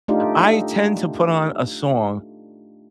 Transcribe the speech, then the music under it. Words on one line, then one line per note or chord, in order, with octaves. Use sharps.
I tend to put on a song
A3 D4 D#4 F4 G4